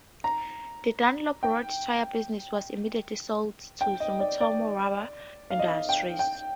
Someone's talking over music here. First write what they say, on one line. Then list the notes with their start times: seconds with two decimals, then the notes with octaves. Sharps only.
The Dunlop road tyre business was immediately sold to Sumitomo Rubber Industries.
0.24 A#5
1.43 G5
3.81 G5
4.00 D#5
4.20 D5
4.40 D5
5.51 F5
5.59 D#5
5.89 G5
6.19 G5